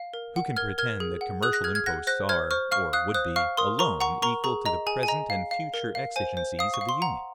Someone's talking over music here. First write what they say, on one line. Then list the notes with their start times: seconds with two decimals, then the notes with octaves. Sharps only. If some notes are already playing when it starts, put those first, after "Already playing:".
Who can pretend that commercial imposts are, or would be, alone equal to the present and future exigencies of the Union?
Already playing: F5
0.14 A#4
0.36 F#5
0.57 A#4 F6 G#6
0.78 A#4 F6 G#6
1.00 G#4
1.21 F#5
1.42 G#4 D#6 F#6
1.53 F#6 A#6
1.64 G#4 F6 G#6
1.75 F6 G#6
1.86 F#5 F#6 A#6
2.07 C5 F#6 A#6
2.29 C5 F6 G#6
2.51 C5 C#6 F6
2.71 F5 C#6 F6
2.93 F5 D#6 F#6
3.14 C5 D#6 F#6
3.36 F5 C#6 F6
3.57 A#4 C6 D#6
3.79 A#4 A#5 C#6
4.00 F#5 A#5 C#6
4.22 A#4 A#5 C#6
4.44 G#4 A#5 C#6
4.66 D#5 A#5
4.87 G#4 G#5
5.03 G#5
5.08 D#5 A#5
5.30 F5
5.51 F5
5.74 A#4
5.95 F5
6.16 C5 G#5
6.37 C5
6.59 F5 D#6
6.74 C#6
6.81 F5
6.89 C6
7.02 F#5 A#5